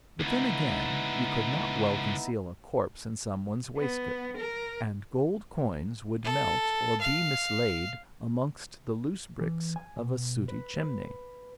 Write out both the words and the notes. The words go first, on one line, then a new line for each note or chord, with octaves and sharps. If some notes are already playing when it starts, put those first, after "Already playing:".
But then, again, you could not well conceal a corpse in someone's waistcoat; and gold coins would melt or be mislaid amongst the loose bricks of a sooty chimney.
C#2 D3 B3 D#4 E4
B3
A#4
A4
F5
E3
G#5
B2
B4
B4